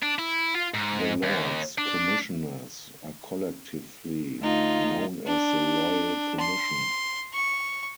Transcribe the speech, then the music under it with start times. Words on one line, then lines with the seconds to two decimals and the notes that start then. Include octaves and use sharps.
The Lords Commissioners are collectively known as the Royal Commission.
0.03 D4
0.19 E4
0.54 F4
0.74 G#2
1.23 D#2
1.78 D4
4.40 D2 D#4 F4
5.27 D4
6.40 C6
7.33 C#6